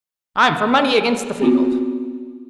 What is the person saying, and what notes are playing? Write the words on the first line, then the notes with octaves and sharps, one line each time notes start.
I'm for money against the field.
B3 C4 F4 F#4